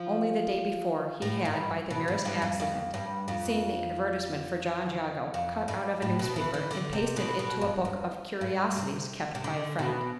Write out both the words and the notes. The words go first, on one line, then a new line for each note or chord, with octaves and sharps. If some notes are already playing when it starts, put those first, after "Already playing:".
Only the day before, he had, by the merest accident, seen the advertisement for John Jago cut out of a newspaper and pasted into a book of "curiosities" kept by a friend.
Already playing: F3
A2
G2
B2
G2
G2
F2
F2
G2
F2
F2
G2
A2
B2
E3
E3
D3
C3
B2
B2
G2
E2
G2
C3
C3
D3
B2